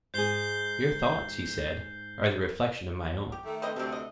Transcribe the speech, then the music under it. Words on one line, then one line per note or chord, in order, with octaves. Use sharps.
Your thoughts, he said, are the reflection of my own.
G#2 G#4 G6 C7 G7
G4
D#3 A3
C4 B4 D#5
D2 C3 A3 C4
D#5